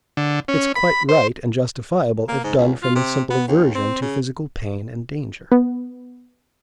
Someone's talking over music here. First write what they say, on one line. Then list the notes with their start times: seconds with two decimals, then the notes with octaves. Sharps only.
It's quite right and justifiable, if done from a simple aversion to physical pain and danger.
0.17 D3
0.48 C#4
0.76 B5
1.09 C5
2.28 A#3
2.44 G#2
2.57 C#2
2.83 F4
2.95 C3
3.30 B3
3.48 D#2
3.75 C4
4.02 C#3
5.52 B3